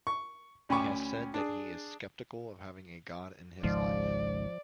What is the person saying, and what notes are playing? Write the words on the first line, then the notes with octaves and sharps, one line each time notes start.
He has said that he is 'sceptical' of having a god in his life.
C#6
D2 C#4 G5 B5 C#6 D6
D4 G#4
G#1 C#2 G#2 F3 D5